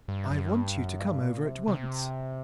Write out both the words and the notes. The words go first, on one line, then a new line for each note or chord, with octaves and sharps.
"I want you to come over at once."
G2
F#2
G2
F#2
G2
A#2
C3
C3